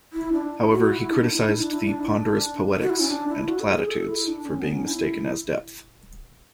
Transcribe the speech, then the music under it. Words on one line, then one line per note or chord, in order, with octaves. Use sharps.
However, he criticized the "ponderous poetics...and platitudes" for being mistaken as depth.
E4
D4
F#4
E4
D4
E4
D4
E4
D4
E4
D4
E4
D4
F#4
E4
C#4
D4
E4
F#4
A4
G#4
A4
E4
D4
C#4
B3
C#4
E4